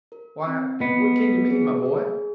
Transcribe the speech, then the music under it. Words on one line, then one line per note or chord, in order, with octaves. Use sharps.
"Why, what can you mean, my boy?"
A#4
C4
B3 D#5
B4
G#4
G#4